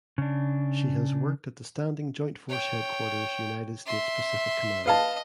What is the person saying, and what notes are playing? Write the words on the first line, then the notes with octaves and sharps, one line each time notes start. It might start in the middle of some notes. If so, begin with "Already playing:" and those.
She has worked at the Standing Joint Force Headquarters United States Pacific Command.
C#3 D4
C#5 G5
E5 C6
B4 D#5 F5 A5